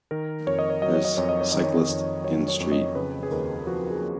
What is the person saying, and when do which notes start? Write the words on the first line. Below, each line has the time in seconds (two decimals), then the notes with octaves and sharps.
There 's cyclist in street.
0.11 D#3 A#4
0.47 F2 C#5
0.59 D#5
0.70 C#5
0.82 F#3 D#5
0.94 C#5
1.05 D#5
1.17 F2 C#5
1.29 D#5
1.41 C#5
1.52 D#3 D#5
1.63 C#5
1.89 F2
2.24 F#3 C#5
2.48 C#5
2.60 F2
2.72 D#5
2.95 C#3 B4
3.23 G#4
3.31 D#2 A#4
3.66 F3 F#4
3.91 G#4